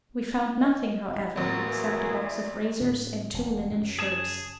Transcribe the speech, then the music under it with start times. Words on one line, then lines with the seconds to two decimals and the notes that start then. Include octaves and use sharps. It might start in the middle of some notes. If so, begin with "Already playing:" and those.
We found nothing, however, except a box of razors and two linen shirts.
0.59 D#5
1.36 A1 E2 F#3 A#3 C4 F4
1.66 E4 G#4 B4 E5
2.19 D5
2.81 A2 C#3
3.34 E1
3.71 F#2 C#3
3.99 G#4 A5 D#6